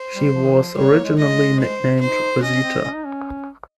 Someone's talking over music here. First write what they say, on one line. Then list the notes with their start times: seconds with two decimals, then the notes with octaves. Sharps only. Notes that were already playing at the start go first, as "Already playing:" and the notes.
She was originally nicknamed "Rosita".
Already playing: C5
0.14 G3
0.34 F3
0.44 D#3
0.53 F3
0.76 G3 C#5
0.90 A#3
1.04 G#3
1.17 G#3 D#5
1.59 C5
2.00 D#4 C5
2.41 C#4 D#5
2.54 C#4
2.62 C4
2.84 C#4
2.95 D#4
3.06 C#4